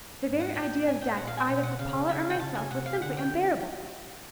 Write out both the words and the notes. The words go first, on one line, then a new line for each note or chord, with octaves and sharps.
The very idea of death either for Paula or myself was simply unbearable.
G#2
F#5
A2 G5
G#5
G5
A#2 F#5
F5
G#5
B2 G5
F#5
C#3 F5
E5
F5
G5
C#3 A5
G#5
C3 F#5
F5
D3 F#5
G5